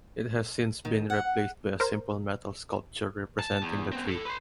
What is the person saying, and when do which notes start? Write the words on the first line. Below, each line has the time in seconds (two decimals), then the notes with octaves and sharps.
It has since been replaced by a simple metal sculpture representing the tree.
0.85 D#3
1.10 F#5
1.80 A#4 C5
3.40 A5
3.62 E2
3.93 B3 C4
4.07 A2 A4
4.25 B4 C6